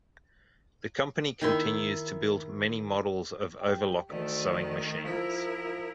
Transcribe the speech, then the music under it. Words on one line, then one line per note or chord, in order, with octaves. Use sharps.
The company continues to build many models of overlock sewing machines.
D#3 E4 C6
G4
D2 D#3 A3
F3 E4 A#4
F3